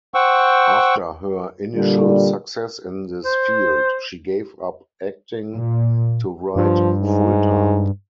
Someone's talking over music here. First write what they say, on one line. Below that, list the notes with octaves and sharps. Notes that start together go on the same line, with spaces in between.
After her initial success in this field, she gave up acting to write full-time.
C5 F#5 G5 C#6 E6
A#2 D3 G3
C5
A#2
G2 F3
G#2